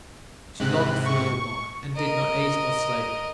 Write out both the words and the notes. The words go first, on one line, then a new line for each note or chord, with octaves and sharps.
She longed for Little Mok, and did not eat or sleep.
G#2 C3 F#6
C#6
A#4 D#5